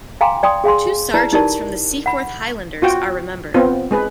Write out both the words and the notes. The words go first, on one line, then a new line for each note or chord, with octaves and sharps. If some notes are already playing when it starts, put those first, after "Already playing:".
Two sergeants from the Seaforth Highlanders are remembered.
F5 G5 G#5 A#5 C6 D6
D5 G5 C6 D#6
G#4 F5 G#5 C6
E4 B4 D5 A5 A#5
D#4 E4 G4 A#4 D5 A5
F#5 B5
F4 F#4 G5
B3 C4 F4
G#3 G#4 B4